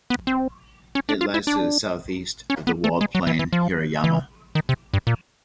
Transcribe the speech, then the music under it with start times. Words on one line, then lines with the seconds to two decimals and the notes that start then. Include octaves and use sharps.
It lies to the southeast of the walled plain Hirayama.
0.10 B3
0.27 C4
0.95 C#4
1.09 D4
1.21 F4
1.34 E4
1.47 D4
2.50 C#4
2.67 B3
2.84 A3
3.01 G#3
3.15 F#3
3.27 E3
3.39 E3
3.53 F3
4.04 E3
4.55 D#3
4.69 C3
4.93 G2
5.07 A#2